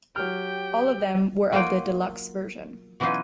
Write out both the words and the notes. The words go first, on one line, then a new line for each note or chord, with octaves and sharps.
All of them were of the Deluxe version.
F#3 G4 G5 F6
F#3 A#3 D#4 F4 G5
B2 E3 F#3 C#4 D#4 F4